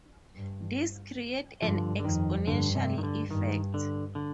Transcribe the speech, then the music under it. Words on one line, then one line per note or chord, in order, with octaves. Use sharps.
This creates an exponential effect.
G2
G2 D3 F3
D3
F2 D#3
G2 D3
C3
D#3
D3
G2 D#3
D3
D3